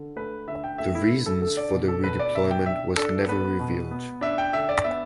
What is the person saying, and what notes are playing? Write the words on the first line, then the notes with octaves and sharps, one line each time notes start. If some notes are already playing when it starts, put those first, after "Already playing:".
The reasons for the redeployment was never revealed.
Already playing: D3
A3 B4
D3 E5
G5
A3 E5
E4
D3
A4
D3 A4
D5
B2
A4
B2 B4
D5
B2 E5
G5
D4 E5
D4 A4
B3 B4
B2
B3
D4 E5
G5
D3 E5
D5
B3 E5